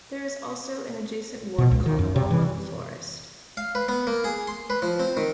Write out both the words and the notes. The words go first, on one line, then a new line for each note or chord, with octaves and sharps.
There is also an adjacent ward called Bulwell Forest.
B2
C#2
D#3
F#2
C3
E3
F5
B4
B3
A#3
G#4
C6
B4
F3
C4
D#3